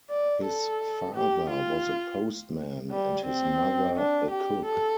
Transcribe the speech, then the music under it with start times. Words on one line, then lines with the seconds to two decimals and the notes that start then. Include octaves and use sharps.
His father was a postman and his mother a cook.
0.10 D5
0.45 A4
1.15 G4
1.50 F4
2.91 G3
3.26 C4
3.96 D4
4.31 G4
4.65 A4